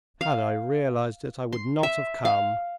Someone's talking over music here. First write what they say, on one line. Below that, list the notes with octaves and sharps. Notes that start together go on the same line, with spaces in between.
"Had I realised it, I would not have come."
F5
C6
E5
F5